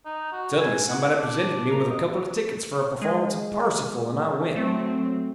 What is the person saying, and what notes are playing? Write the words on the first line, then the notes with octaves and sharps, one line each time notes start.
Suddenly somebody presented me with a couple of tickets for a performance of Parsifal and I went.
D#4
F#4
G#5
F#5
D4
A#4
D#5
G#3
F#3 A3 C4